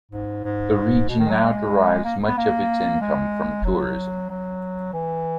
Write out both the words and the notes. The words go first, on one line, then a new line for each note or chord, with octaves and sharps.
The region now derives much of its income from tourism.
G#2
G#2
B2
D#3
G#3
F#3
G#3
A#3
B3
A#3
G#3
F#3
F#3
E3